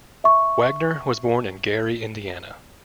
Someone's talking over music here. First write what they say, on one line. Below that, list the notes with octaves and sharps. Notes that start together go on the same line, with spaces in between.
Wagner was born in Gary, Indiana.
E5 C#6